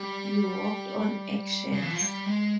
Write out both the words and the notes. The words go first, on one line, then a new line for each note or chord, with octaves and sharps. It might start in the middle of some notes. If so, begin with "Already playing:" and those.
You walked on eggshells.
Already playing: G3
C#3
E3
F3
G3
G#3